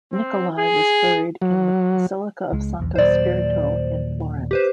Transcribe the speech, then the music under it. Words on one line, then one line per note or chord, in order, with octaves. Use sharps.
Niccoli was buried in the Basilica of Santo Spirito in Florence.
C4
G#4
F#3
C#2 G#3
B1 E2
D#2 A#2 F#3 C5 D5
G4 B4 C5